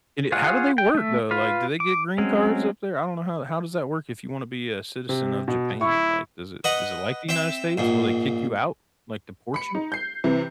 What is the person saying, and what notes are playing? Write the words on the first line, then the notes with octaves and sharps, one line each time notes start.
And, eh, how do they work, though? Like, do they get green cards up there? I don't know how how does that work if you want to be a citizen of Japan, like, does it is it like the United States? Will they kick you out, like deport you?
F4 G#4 C#5 F5 F#5
G5
A3 E5
F4 B4 F5
D6
F#3 G#3 C4 C#4
C3
B2
E4 C#6
B4 D#5 F#5
C4 E5
A#1 G#2
B5 C#7
D#4
G6 C7
C3 E3